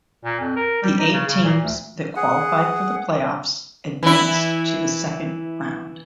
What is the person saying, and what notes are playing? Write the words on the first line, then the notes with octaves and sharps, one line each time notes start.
The eight teams that qualified for the playoffs advanced to the second round.
A#2
F2
A#4
G3
D#4
C#3
C#3
A#2
D2
G#4 F#5
E3 E4